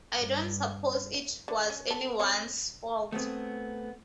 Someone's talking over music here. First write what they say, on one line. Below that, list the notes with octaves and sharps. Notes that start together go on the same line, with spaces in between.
I don't suppose it was anyone's fault.
G2
D3
C#4
A4
C4 C#5
A3 B3 C4 G#4